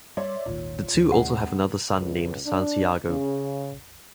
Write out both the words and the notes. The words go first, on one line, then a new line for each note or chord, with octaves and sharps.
The two also have another son named Santiago.
G3 C#5 D5 E5 C6
D#1 G#1 A#2 D#3
D#2
C3 G#3 C4 F#5
C#2
D4
C#3